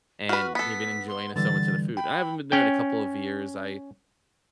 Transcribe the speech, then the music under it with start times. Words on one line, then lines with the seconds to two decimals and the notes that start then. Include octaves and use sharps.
and they've been enjoying, uh, so much of the food, and I haven't been there in a couple of years, I
0.29 F#4 B4 F6
0.55 B3 A4 B6
1.08 C6
1.36 D3 E3 G3 A6
1.97 G5 B5
2.52 C#4 G5